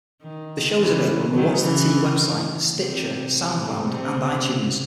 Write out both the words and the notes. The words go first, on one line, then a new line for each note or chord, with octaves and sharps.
The show is available on the What's The Tee website, Stitcher, Soundcloud and iTunes.
D#3
C#3 E3
D#3 F#3
C#3 E3
D#3
C3
A2
C3
C#3